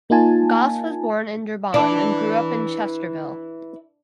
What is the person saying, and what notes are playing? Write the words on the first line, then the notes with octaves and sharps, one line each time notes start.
Goss was born in Durban and grew up in Chesterville.
A#3 D#4 F4 G#5 A5
D4 E4 B4